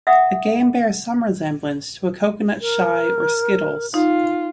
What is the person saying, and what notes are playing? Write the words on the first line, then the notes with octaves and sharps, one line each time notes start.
The game bears some resemblance to a coconut shy or skittles.
E5 F#5 D#6
A#4
D#4 F4